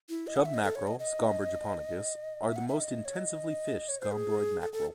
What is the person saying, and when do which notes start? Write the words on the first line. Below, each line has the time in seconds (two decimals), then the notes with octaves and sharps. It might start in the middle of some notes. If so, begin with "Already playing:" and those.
Chub mackerel, "Scomber japonicus", are the most intensively fished scombroid mackerel.
0.09 E4
0.27 D#5
0.36 F#5
0.46 E5
0.54 D#5
0.63 A4
0.75 C#5
0.87 D#5
0.99 D#5
2.44 E5
2.56 F#5
2.68 E5
2.80 D#5
3.05 C#5
3.16 D#5
3.89 C#5
4.01 C5
4.13 G#4
4.61 A4
4.73 A4